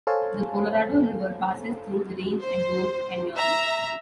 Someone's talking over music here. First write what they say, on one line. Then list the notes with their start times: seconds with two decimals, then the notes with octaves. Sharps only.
The Colorado River passes through the range at Gore Canyon.
0.07 A4 C5 C#5 F5 G#5 A5
2.41 C5
3.36 E5 A#5